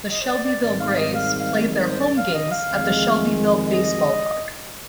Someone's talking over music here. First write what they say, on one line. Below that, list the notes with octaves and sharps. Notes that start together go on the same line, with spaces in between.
The Shelbyville Grays played their home games at the Shelbyville Base Ball Park.
D#5
C5
D5
D5
G#1 G#2 D#3 G3 D5
F5
D#5
F5
F5
C5
D5
F5
D#5
F5
F2 D#3 G#3
D#5